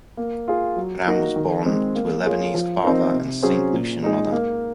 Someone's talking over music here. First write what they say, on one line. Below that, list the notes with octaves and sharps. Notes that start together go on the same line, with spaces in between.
Karam was born to a Lebanese father and a Saint Lucian mother.
A#3
F4 G#4
F#3
A#3 D#4 F#4 A#4
D#3
G#3 C4
A#3
F4 G#4 C#5
F3
C4 D#4 A#4
C3
F#3 C#4 G#4 C5
A#2
G#3 D#4 G#4
A#3